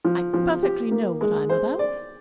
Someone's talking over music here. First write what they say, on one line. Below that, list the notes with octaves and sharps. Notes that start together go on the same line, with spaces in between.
I perfectly know what I'm about.
F3
F3
G4
A#3
G#3
C5
D5